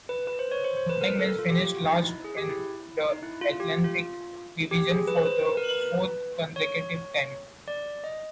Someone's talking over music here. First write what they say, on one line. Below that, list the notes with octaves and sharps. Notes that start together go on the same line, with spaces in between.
The Penguins finished last in the Atlantic Division for the fourth consecutive time.
B4
B4
C5
C#5
C5
C5
B4
A#4
A4
F4
G4
F4
F#4
D#4
E4
G#4
G4
E4
D#4
E4
F4
G4
F4
G4
G#4
B4
C5
B4
B4
A#4
B4
C#5
D5
D#5